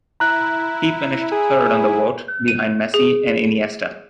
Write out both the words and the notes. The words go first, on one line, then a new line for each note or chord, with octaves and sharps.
He finished third on the vote, behind Messi and Iniesta.
E4 A#5 F#6
G#4
D#7
G#4